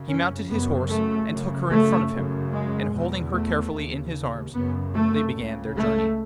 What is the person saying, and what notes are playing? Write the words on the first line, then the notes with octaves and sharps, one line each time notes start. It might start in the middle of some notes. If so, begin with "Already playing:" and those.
He mounted his horse and took her in front of him, and, holding her carefully in his arms, they began their journey.
Already playing: F#2 C#3
C#4
F#2 C#3 B3
A3
F#2 C#3
A3
F#2 C#3
G#3
E2 B2
A3
D#2 C#3
F#2 C#3 B3
A3
C#2 C#3
A3